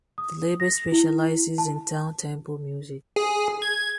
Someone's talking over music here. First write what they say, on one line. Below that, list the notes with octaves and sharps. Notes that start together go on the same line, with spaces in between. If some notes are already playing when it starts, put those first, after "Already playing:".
The label specializes in downtempo music.
D#6
A#6
E4
A5
G#4
G#6